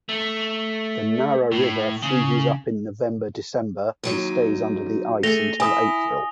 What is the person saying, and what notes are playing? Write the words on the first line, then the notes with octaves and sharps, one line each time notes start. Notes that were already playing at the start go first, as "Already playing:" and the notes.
The Nara River freezes up in November-December and stays under the ice until April.
A3
A2
C#3
D#2 F#3 D#4
A3 G#4 A#6 F7 G7
E4 G#5 D#6